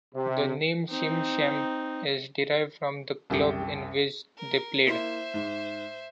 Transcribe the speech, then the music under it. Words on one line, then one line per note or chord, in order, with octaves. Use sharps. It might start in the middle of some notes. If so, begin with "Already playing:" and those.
The name Shim Sham is derived from the club in which they played.
C3
C4 D#4
C2 F#2 G4 G5 C#7
A#4
A#3 E4 C5 E5 C6
G#2